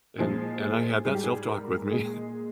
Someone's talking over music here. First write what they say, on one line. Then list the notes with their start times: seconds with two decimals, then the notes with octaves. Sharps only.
and and I had that self-talk with me.
0.19 A#2 F3 G#3 G#4
0.62 G#4
1.05 G#2 G3 G#4
1.15 G4
1.24 G#4
1.48 A#4
1.91 A#2 G#3 G#4